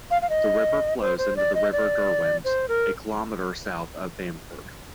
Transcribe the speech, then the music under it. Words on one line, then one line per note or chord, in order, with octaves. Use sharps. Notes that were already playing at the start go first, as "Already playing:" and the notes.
The river flows into the River Derwent a kilometre south of Bamford.
F5
F5
D#5
C5
C5
D5
D#5
D5
C5
A#4